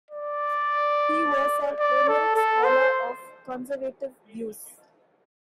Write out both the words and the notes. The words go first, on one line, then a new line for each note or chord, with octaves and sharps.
He was a Homeric scholar of conservative views.
D5
D5
A4
A4
C5